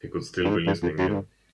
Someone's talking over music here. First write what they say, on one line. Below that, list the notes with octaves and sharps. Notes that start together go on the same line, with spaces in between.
He could still be listening in.
G2
G#2
G2
F2
F#2
G#2
G2